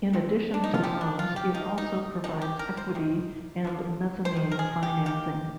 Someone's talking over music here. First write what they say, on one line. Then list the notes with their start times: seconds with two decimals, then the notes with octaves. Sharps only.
In addition to loans it also provides equity and mezzanine financing.
0.13 D#3 G#3 C4
0.54 D4
0.64 D#4
0.74 F4
0.83 D3 F3 G#3 C4 G4
1.01 D4
1.19 F4
1.36 G4
1.54 F3 A#3 D#4
1.78 D#4
2.24 C3 D#3 G#3 C4 D#4
2.42 G4
2.59 A#4
2.77 C5
2.95 C3 D#3
3.65 D3 F3 A#3
4.25 C5
4.36 C3 D#3
4.51 A#4
4.59 G#4
4.83 G4
5.06 D#3 A#3 G4